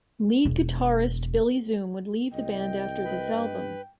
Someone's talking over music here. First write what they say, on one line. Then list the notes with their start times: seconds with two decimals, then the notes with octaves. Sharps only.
Lead guitarist Billy Zoom would leave the band after this album.
0.45 E1
2.33 C2 D#5 G5
3.04 B4
3.33 G2